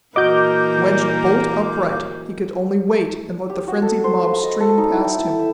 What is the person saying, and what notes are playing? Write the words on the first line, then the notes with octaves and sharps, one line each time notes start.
Wedged bolt upright, he could only wait and let the frenzied mob stream past him.
A#2 E3 A#3 F#4 A#4 D#5 D6 G6
G4
F#4
A4
C5
B4
D#5
A4
D#4
E4
G5
B5
E5